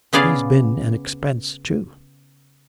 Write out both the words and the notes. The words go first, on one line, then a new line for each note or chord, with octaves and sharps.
He's been an expense too.'
C#3 B3 G#4 D5 F5